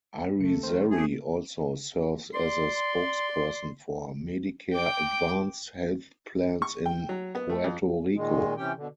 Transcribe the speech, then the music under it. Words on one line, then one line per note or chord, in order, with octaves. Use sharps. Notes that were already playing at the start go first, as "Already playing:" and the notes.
Irizarry also serves as spokesperson for Medicare advanced health plans in Puerto Rico.
C#2 A3 C#7
D#3 C4 C5
A3 G4 G#4
D5 C6
G5 D6
C#6
G5
F#3
B3
A3
F2
A#2 D#3 G#3
C3 E3 C#4 G4 G5
B2 D3